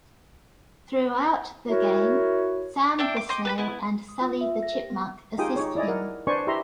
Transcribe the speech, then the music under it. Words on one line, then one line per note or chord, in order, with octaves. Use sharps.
Throughout the game, Sam the Snail and Sally the Chipmunk assist him.
E4 F#4 A#4 C#5
D4 E4 G5
D6
D#5 G5 C6 D6
B4 A5 B5
B3 E4
D#6
F4
E5
A#6
G4
B3
D#4 F4 G4 G#4 G5 D#6
D#4 G#4 C#5
E4 D5 D#5 G#5
A#4 F#5
D4 B4 C5 D5 G#5 C#6
E4 G4 E5 A#5 C6